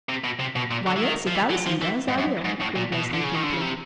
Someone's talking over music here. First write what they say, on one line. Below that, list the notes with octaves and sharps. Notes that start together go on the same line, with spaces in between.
"Why, yes, if Allison does, I will," agreed Leslie, dimpling.
C3
B2
C3
B2
A#2
D3
E3
D#3
F3
E3
F#3
F3
E3
G#2
F#2
G#2
A2
A#2
B2
D3
C#3
D#3
D3
C#3
C3